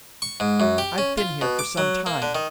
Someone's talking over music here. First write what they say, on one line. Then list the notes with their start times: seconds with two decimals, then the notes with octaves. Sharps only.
I've been here for some time.
0.22 C#6
0.40 G#2
0.60 F#2
0.78 G4
0.98 C#4
1.18 F4
1.41 B2
1.59 D6
1.77 F#3
2.06 A#3
2.22 D3
2.35 D#3